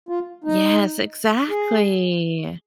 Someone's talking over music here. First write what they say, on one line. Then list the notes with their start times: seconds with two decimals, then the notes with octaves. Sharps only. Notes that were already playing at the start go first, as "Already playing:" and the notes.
Yes, exactly.
0.09 F4
0.44 D#4
1.50 G#4